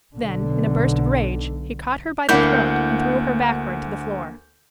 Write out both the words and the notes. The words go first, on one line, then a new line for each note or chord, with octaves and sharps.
Then, in a burst of rage, he caught her by the throat and threw her backward to the floor.
B1 D3
D2 A#3 D4 E4 F#5 G6